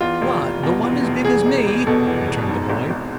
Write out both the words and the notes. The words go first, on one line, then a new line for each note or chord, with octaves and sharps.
"What, the one as big as me?" returned the boy.
E2 F4
F1
F1
B2
E2
F1
E2 G#4
E1
E1
B2 A4
E2
E1
G#2
G#1
G#1